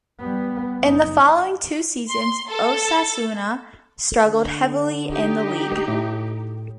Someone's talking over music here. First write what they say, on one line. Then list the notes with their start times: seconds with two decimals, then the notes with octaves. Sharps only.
In the following two seasons, Osasuna struggled heavily in the league.
0.19 G3 B3
0.81 F#1 D#4
2.10 C6
2.50 A4
4.25 D3
5.07 D#4 G4
5.88 A2